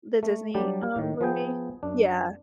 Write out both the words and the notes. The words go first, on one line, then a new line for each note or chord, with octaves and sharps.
The Disney, um, movie. Yeah.
A3
F#3 G3 D4 G4 D5
A2 D#3
F3 B3 G#4 G5
F#2 D4